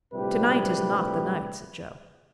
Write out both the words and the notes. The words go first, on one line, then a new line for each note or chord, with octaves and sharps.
"To-night is not the night," said Joe.
A#1 A2 C3 G3 G4 B4